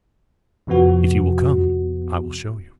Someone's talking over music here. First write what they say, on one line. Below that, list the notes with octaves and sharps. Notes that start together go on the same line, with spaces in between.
'If you will come, I will show you.'
F2 C3 F3 B3 F#4